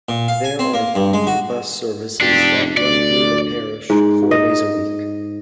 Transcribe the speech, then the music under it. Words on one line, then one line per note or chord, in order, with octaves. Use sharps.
There are three bus services that run through the parish, four days a week.
A#2
F5
G#5
C4
A#3
G2
G#3
F#4
F1 D4 G4
D2 D5
G#2
D#5